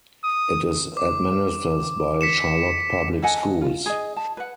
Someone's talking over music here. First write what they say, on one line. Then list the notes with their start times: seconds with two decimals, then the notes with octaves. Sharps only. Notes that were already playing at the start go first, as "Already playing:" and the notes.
It is administered by Charlotte Public Schools.
0.24 D#6
0.97 D6
2.21 B6 C#7 E7
3.22 A4 D#5 F#5 G#5
3.61 F4
3.86 G#4 D#5
4.16 A5
4.37 B4 F#5